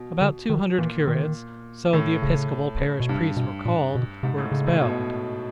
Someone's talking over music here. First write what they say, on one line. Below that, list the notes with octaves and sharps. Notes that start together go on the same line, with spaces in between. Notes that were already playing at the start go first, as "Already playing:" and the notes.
About two hundred curates--so the episcopal parish priests were called--were expelled.
Already playing: B2
D3
D#3
A#2 E3
D#3
A2 D#3
C#3
B2
G2 C3
B2
A#2
B2
G#2 C3
A2
C#3
A2
B2